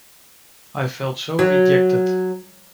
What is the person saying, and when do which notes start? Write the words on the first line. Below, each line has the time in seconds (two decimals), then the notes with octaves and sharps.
I felt so rejected.
1.39 F#3